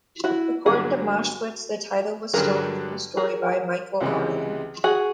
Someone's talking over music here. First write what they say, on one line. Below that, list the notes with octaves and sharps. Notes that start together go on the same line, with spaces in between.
According to Maschwitz, the title was "stolen" from a story by Michael Arlen.
E4 F#4
G2 D3 F#3 A#3 D4 F#4 G#4
G2 D3 F#3 G#4 A#4
G#4 A#4
C#2 C3 E3 G#3
F#4 G#4